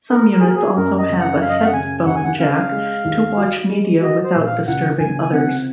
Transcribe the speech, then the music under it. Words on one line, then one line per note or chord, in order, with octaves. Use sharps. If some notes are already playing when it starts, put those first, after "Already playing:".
Some units also have a headphone jack to watch media without disturbing others.
A#3 A#4
A#4
G#4
F#4 A#4
G#4
F#2 A#4
D#5
C#3
F#5
F#2 F5
D#5
F5
F#5
C#3 G#5
D#2 F#5
G#5
F#5
C#3 F5
G#3
D#2
F#4
G#3
F#4 D#5
C5
A#2
F5
C#2 F#5
C#2 G#5
G#5
C3 F#5